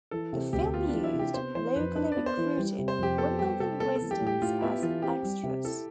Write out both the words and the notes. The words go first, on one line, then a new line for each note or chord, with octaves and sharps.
The film used locally recruited Wimbledon residents as extras.
E3 A4
C3
D2 G4
B3 F4
E3 D4
E4
C3
G4
B3 C5
E3 C5
F2 B4
D4 B4
D5
B3
C5
E3
G3
C3
C5
F2 G4
B3 A4
G3 G4
C3 A4
B3 A4
A4
E3
G4
A2
G4
A2 F4
B3 E4
E3 F4
C4 G4
G3
C3
E4 A4